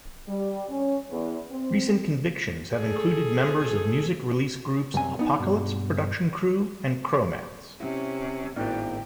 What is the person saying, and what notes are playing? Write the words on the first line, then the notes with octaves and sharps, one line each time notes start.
Recent convictions have included members of music release groups Apocalypse Production Crew and Chromance.
G3
C#4
E2
C4
G#4 A4
C2 F#2 C3 G#5
B3 D#4
G2 B2
C3 C#4 E4
G#1 A2 B3 D4 E4 G5